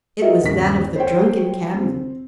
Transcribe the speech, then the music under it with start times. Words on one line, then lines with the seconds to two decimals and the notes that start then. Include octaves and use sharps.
It was that of the drunken cabman.
0.21 F4 F#4 G#4 A#4 D#5 E5
0.44 D#1 G2 B6
0.96 C5 C#5 G5
1.74 C4